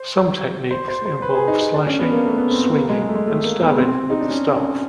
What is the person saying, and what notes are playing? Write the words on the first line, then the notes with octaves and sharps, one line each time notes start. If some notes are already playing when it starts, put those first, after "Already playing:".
Some techniques involve slashing, swinging, and stabbing with the staff.
Already playing: C5
C5
C5
C5
B4
G#4
D#4
D#4
D4
C#4
B3
A#3
A3
B3
C4
B3
A#3
G#3
G#3
A3
G#3
A3
A#3
B3
C4
D#4
D4
C#4
C#4